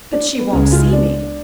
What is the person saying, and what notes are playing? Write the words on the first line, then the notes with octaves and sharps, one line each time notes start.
"But she won't see me."
D4
B3
C#2 C#3 G#3 B3 C#4
F4
D4